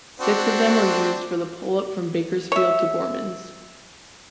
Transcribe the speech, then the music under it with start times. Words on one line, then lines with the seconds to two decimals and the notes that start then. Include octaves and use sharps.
Six of them were used for the pull up from Bakersfield to Gorman's.
0.20 C4 D4 F#4
2.52 C#5 E5